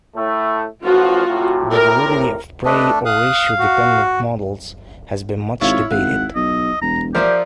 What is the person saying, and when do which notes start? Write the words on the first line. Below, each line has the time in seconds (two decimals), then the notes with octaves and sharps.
The validity of prey or ratio dependent models has been much debated.
0.15 A2 A3
0.83 A1 F3 F4 F#4
1.27 A2 C3
1.72 A#4
2.65 A3 D4 B4 D#5
3.05 F5 D#6 F#6
3.59 F#4
5.61 G#1 E4 F4 C#5 F5
5.91 G#1 F5 F#5
6.36 B1 D#5
6.82 E1 A#5
7.15 F3 G4 A#4 D5 E5 F5